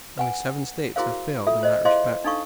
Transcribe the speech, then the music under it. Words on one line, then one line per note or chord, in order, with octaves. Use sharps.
Only seven states have failed in that respect.
B4 F#5 G#5
E4 F#4 G#4 A#4 C5 F5
F4 A4 E5
F4 C5 D#5
E4 G#4 C5 D#5 F5 C6
D4 D#4 A4 F5 C#6